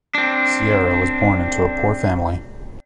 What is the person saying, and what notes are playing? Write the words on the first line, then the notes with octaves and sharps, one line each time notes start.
Sierra was born into a poor family.
C4 D4